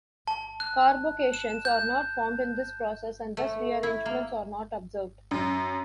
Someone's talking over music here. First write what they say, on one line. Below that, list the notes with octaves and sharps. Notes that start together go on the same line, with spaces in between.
Carbocations are not formed in this process and thus rearrangements are not observed.
A5
F#6
E7
G6
A3
E4
A#3
F#2